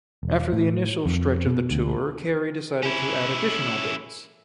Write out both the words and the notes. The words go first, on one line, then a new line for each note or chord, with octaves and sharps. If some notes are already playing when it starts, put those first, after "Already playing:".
After the initial stretch of the tour, Carey decided to add additional dates.
E1
A2
F2
B2
D2
C#4 E4